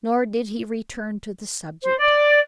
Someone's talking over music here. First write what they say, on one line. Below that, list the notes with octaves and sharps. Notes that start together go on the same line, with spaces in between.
Nor did he return to the subject.
C5
D5